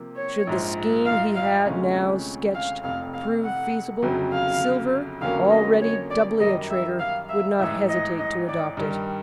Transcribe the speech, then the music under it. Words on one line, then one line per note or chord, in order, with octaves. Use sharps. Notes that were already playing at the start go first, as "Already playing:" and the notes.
Should the scheme he had now sketched prove feasible, Silver, already doubly a traitor, would not hesitate to adopt it.
Already playing: C3 F3 A#3
C#5
A#1 G#2 F3
F5
F5
D2 C3 F3 G#3 C#4
F5
F1 F2 C3 F5
F5
F#5
G1 F2 C#3 F#3
F5
F2 D3 F#3 A#3 C#4 F5
D#5
C#5
D5
F#2 D#3 G3 D#5
E5
F5
E5
A1 G#2 E3 E5
D#5
D#5
D5
G2 D#3 G3